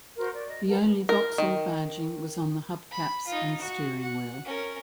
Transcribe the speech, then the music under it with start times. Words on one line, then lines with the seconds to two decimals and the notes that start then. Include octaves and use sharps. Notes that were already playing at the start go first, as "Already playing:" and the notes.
The only Vauxhall badging was on the hub caps and steering wheel.
0.18 F#4 A#4 C5 C6
0.33 D5
0.48 D#5
0.68 A#4 B4 F#5 A5
1.09 A#4
1.38 D#3
2.91 B5
3.27 D#4 F4
3.59 F#4 F#5
4.02 F#5
4.45 C#4 A#4